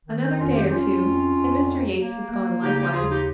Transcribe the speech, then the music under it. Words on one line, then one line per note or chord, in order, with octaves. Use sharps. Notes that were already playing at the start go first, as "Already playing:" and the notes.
Another day or two, and Mr. Yates was gone likewise.
D#3
C4 D#4
F2 C#4 F4
D#4 G4
F2 C#4 F4
F2
F2
A#3
A#3
A#3
C#3 D#4 G4
D#4 G4
D#2 F4 G#4
D#4 G4